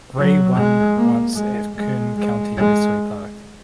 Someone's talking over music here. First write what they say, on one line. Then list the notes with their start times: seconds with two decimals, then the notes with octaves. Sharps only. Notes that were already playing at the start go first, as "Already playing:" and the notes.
Gray won once at Kern County Raceway Park.
0.17 F#3
0.56 G#3
0.97 A#3
1.36 G#3
1.76 G#3
2.17 G#3
2.57 G#3